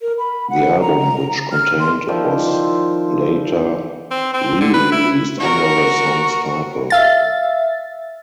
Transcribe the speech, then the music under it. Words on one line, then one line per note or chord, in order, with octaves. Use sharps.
The album which contained it was later re-released under the song's title.
A#4
B5
F#5
A#5
F6
C6
D#3 F3 E4 D5
C5
C4
C4
D3
B4
E4
F#4 A#4 C#6
E5 F5 A6